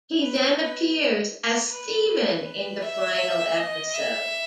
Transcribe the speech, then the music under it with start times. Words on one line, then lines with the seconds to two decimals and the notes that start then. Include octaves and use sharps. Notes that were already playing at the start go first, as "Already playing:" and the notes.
He then appears as Steven in the final episode.
0.22 B4
0.60 B4
1.70 B4
2.08 B4
2.82 E5
3.57 D#5
3.94 E5